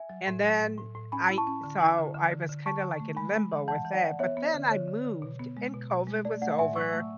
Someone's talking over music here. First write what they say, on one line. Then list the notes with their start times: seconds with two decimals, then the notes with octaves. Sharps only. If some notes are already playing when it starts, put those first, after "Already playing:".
And then I so, I was kinda like in limbo with that, but then I moved and COVID was over,
Already playing: E5 G#5
0.09 F#3
0.27 A2
0.44 F#3
0.61 A2
0.78 A2
0.95 A2
1.12 C#4 G#5 B5
1.29 E4
1.38 A5 C#6
1.47 C#4
1.63 D3
1.81 E4
1.98 D3
2.14 D3
2.32 D3
2.49 D3
2.66 D3 A5 C#6
2.82 D3
3.00 A3
3.17 G#3 G#5 B5
3.35 G#3
3.52 E3
3.68 E3 F#5 A5
3.85 E3
3.94 D5 F#5
4.02 E3
4.19 B3 C#5 E5
4.37 B3
4.45 D5
4.54 D3
4.71 D3 C#5
4.87 D3
5.05 D3
5.22 B2
5.39 B3
5.57 G#3
5.74 B2
5.90 B2
6.07 G#3
6.25 A3 D5
6.41 A3 D5 F#5
6.58 A2 E5 G#5
6.76 F#3 C#6 E6
6.93 A3